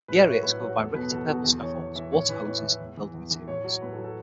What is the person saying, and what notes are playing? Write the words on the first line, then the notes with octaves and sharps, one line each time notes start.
The area is covered by rickety purple scaffolds, water hoses, and building materials.
A2 B4
E5
F#3 C#5
A2 B4
E5
F#3 C#5
F#4
E2 A4
B2 F#3 B4
E2 A4
B2 F#3
E2 A4
E3 C#5
E2 C#5
E3 E5
A2 C#5
E3 B4
A2 C#5
E5
E3
E5
E2
E3
E2
E3
A2 C#5
F#3
A2 B4
A4
F#3
A4